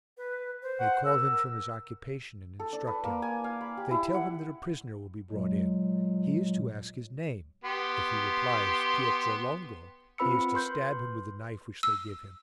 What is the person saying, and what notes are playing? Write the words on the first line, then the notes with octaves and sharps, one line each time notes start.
They call him from his occupation and instruct him. They tell him that a prisoner will be brought in, he is to ask his name, if he replies "Pietro Longo," he is to stab him with the knife which they give him.
B4
C5
F#5
A#4 E6
A#4
A4
D4
B4
A#3
G#5
F5
B5
G4
E4
F#5
A#2 F#3 G#3
B3 G4 C6
C4 F4 B4 B5 E6 C#7
B4 C6 G6
E6